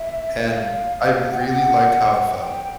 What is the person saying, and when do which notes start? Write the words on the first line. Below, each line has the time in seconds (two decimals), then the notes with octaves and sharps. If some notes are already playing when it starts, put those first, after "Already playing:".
and I really liked how it felt.
Already playing: E5
0.48 F5
1.30 F#5
1.39 G5
1.48 F#5
2.13 G5
2.17 F#5
2.41 G5